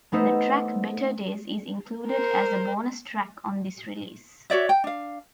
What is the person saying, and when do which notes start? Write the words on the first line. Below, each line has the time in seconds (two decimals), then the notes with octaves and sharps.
The track 'Better Days' is included as a bonus track on this release.
0.12 A3 B3 D#4 C5 E5
2.07 A#4 C5
4.50 F#4 C#5 D5 E5
4.69 G5
4.84 D4 F5